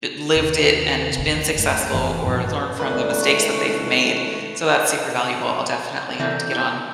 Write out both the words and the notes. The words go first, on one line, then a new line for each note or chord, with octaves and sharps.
i lived it and been successful or learned from the mistakes that they've made, so that's super valuable, I'll definitely have to get on
D#2 C3
F#1 D2
G2 A3
F1 F#2 E3
G2 A#2 F3 D4
C#2 D#3 A3 B4 D5
D3 E3 A#3 C4 E5
G4